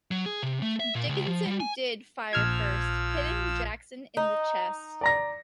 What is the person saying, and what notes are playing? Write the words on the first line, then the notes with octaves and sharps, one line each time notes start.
Dickinson did fire first, hitting Jackson in the chest.
F#3
G#4
C3
A3
E5
A#2
C#2
F3
G3
G#5
A#1 F3 E6 F6 G#6
D#4
D5 A#5 A#6